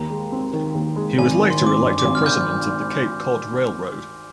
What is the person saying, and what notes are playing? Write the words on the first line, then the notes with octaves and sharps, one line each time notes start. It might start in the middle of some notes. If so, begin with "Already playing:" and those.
He was later elected president of the Cape Cod Railroad.
Already playing: D#2 A#5
G#3
C4
D#3
D#2
G#3
G#1 G#5
D#3
C6
G#1
D6
G2
D6
G#1
F6
D#3 G6